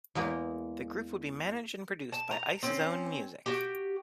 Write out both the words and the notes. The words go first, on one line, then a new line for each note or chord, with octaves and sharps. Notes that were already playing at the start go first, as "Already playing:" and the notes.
The group would be managed and produced by Icezone Music.
E2 G#3 A#3 G5
A5
A#5
C4 C#4
F#4 G4